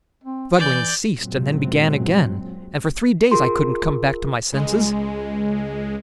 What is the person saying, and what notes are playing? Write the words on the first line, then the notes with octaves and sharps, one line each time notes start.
The struggling ceased and then began again, and for three days I couldn't come back to my senses.
C4
E3 D5 G6
F#1 F#2 A#2 F#3 G#3 C4
F4 G#4 A#4 C6
C#2 G#3